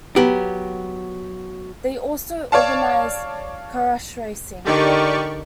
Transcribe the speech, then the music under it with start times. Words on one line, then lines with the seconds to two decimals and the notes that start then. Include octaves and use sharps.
They also organise currach-racing.
0.16 F#3 B3 G4
2.52 C#5 D5 F5 A5
4.65 D3 D#3 G4 D5 C#6